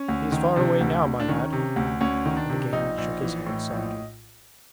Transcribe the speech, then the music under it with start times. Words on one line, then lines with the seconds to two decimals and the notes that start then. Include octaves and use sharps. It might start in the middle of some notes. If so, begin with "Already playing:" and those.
'He is far away now, my lad! ...' And again he shook his head sadly.
Already playing: C#4
0.09 D2
0.32 D#3
0.56 C3 D4
0.81 D2
1.05 D2
1.20 D4
1.29 D#3 C#4
1.53 C3
1.76 D2
2.01 D2 C#4
2.26 D#3
2.37 D4
2.50 C3
2.73 A#1 D#4
2.98 A#1
3.21 E3
3.46 A2
3.70 A#1